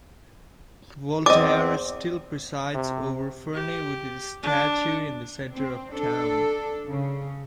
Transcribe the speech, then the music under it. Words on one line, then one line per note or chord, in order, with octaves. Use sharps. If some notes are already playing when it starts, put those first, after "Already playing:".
Voltaire still presides over Ferney with his statue in the center of town.
E2 C4 D5 D#5 D6
C3
G4
D4
C4
D4 A4
C#3